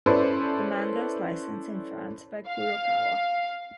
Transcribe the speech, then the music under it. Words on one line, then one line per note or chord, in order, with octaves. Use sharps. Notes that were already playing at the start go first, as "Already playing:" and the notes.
The manga is licensed in France by Kurokawa.
C#4 E4 A4 B4 C5 D5
F5